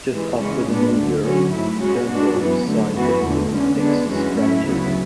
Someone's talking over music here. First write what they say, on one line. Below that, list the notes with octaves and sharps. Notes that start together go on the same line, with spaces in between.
Just after the New Year, Turnbow signed with the Texas Rangers.
G#2 E3 G#3
C#3 E3 G#3 C#4
A2 G#3 B3 D4
D2 D3 A3
D3 F#3 C#4 F#4
G#2 F#3 A3 E4
C#3 G#3 C#4 F#4
B2 G#3 D4 F#4
F#2 E3 B3
D3 F#3 A3
F#2 E3 B3 F#4
E2 D3 A3
E2 D3 G#3 C#4
D3 G#3 B3 D4
F#2 E3 G#3 C#4 F#4
A2 F#3 A3 C#4 E4
D2 C#3 F#3 B3 E4